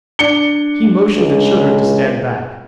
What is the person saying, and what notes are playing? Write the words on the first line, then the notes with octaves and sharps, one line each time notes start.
He motioned the children to stand back.
D4 C#7 G7
C#2